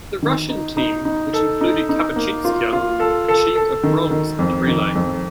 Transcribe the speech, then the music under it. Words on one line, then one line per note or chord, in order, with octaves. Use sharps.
The Russian team which included Kapachinskaya achieved a bronze in the relay.
D#3
D#4
D#4
D#4
A4
D#4
D#4
A#3
F4
F4
A4
A4
A4
D#3
D#3
F2
D#3
F2